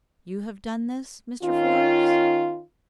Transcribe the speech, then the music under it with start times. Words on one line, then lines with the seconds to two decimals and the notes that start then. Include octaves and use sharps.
"You have done this, Mr. Forbes?"
1.43 D#3 C#4 F4